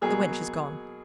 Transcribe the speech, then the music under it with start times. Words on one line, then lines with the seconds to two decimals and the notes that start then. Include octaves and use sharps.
The wench is gone.
0.01 B2 F#3 A#3 G#4